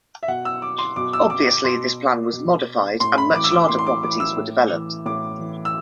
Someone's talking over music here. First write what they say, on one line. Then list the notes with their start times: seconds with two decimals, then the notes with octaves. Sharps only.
Obviously, this plan was modified and much larger properties were developed.
0.23 E5
0.28 B2 F#5
0.45 E6
0.62 D6
0.78 C6
0.96 B2 D6
1.13 E6
1.30 D6
1.47 D6
1.64 B2 C6
2.33 B2
3.00 A2 C6
3.18 B5
3.35 E3 D6
3.44 E6
3.51 D6
3.68 A2 C6
3.79 C6
3.86 D6
4.03 E3 D6
4.20 E6
4.37 A2
4.72 E3
5.06 A2 D6
5.39 E3
5.65 E6